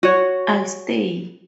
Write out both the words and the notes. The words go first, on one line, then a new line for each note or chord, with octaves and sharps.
I’ll stay.
F#4 C#5